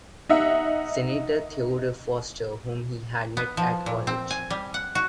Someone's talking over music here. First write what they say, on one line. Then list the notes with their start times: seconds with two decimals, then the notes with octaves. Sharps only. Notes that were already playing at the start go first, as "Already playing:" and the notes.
Senator Theodore Foster, whom he had met at college.
0.29 D#4 E5 F#5
3.37 B3
3.57 F3
3.86 A#2
4.07 C4
4.31 G#5
4.50 G3
4.74 F#5
4.95 F#4